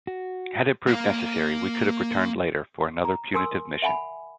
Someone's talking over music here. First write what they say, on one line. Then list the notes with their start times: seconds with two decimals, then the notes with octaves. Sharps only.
Had it proved necessary, we could have returned later for another punitive mission.
0.07 F#4
0.87 A#3 F5
3.05 A#5
3.34 A#4 G#5 C6 D#6 E6
3.82 E5 F#5 G#5 B5